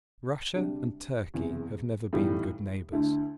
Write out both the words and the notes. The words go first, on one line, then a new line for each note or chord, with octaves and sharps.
Russia and Turkey have never been good neighbors.
D2 C3 G3 D4
F#1 E2 C3
B1 A2 E3 G3
D2 D3 A3 E4